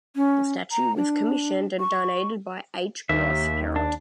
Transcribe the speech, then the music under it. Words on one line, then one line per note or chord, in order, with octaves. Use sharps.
The statue was commissioned and donated by H. Ross Perot.
C#4
A#5
D4
C#6
D#2 E5
D4